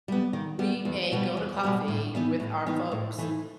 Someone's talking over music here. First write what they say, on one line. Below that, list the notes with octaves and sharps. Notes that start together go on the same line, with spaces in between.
we may go to coffee with our folks.
G3 B3
D#3
G3 B3
E2
B2 G3 B3
E2
B2 G3 B3
A2
E3 B3 D#4
A2
E3 B3 D#4
A2
E3 A3 D#4